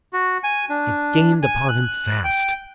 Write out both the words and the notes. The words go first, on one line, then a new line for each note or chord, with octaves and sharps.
It gained upon him fast.
F#4
G#5
D4
G#5
F#6
G5